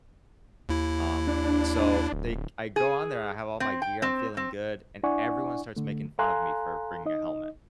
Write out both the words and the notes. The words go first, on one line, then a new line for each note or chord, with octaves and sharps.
um, so they I go on there, I have all my gear, I'm feeling good, and everyone starts making fun of me for bringing a helmet.
D#2 E4
D4
D1
G#4
C4
G5
C4
C4
D4 E4 D5 F#5 G#5 C#6
D3 A3
A4 F5 G#5 A#5 C6 F#6
D#4 D#5